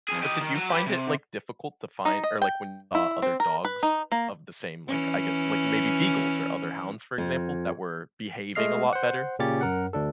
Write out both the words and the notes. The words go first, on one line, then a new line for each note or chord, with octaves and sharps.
but did you find it like difficult to find or like when, uh, other dogs of the same like I guess like maybe beagles or other hounds, for example, that were behaving a lot better?
F2 G#4
G4 D#5
D#3
F#3
G4 B4
C3
D#4
D#5
G5
E4
C4
A#4
B4
D#4
A#3
E3 C#4
F2
G#3 A3 D#5 F6 C7
C5 F#5
A#2 C#3 C#4 G4 C#5 A6
F#2 A#4 F#5
D2 D4 A4